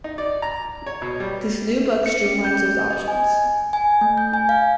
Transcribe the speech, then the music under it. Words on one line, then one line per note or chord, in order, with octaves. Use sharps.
This new book streamlines those options.
D#4
D5
A#5
C#5
B2
G3
C#7
C#4
G6
D#5
G#5
G#5
A3
G6
G#5
F5